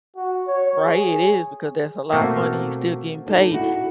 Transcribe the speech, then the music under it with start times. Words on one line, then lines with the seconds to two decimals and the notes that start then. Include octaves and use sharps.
Right, it is because that's a lotta money he's still getting paid
0.16 F#4
0.47 C#5
0.83 G#4
2.13 B2 A3 A#3 C4 F#4
3.26 D4 D#4 A4
3.52 E4 F#4